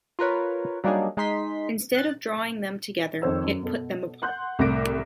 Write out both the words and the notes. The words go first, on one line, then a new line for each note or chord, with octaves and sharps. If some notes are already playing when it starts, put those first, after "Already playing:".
Instead of drawing them together, it put them apart.
F4 A#4 B4 C#5
F#3 G3 A#3 D4 D#4 G#4
G#3 D#4 C6 B6
F#6 A6
F2 D#3 C5 C#5 E6
F#2
B2 A4
F#5 C6 F#6 G6
C2 A2 C3 D6 A#6 D7